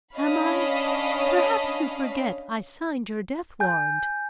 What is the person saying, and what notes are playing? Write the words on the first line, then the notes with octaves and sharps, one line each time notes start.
"Am I? Perhaps you forget I signed your death-warrant."
C#4 D4 C#5 D#5 F5 B5
G#5 G6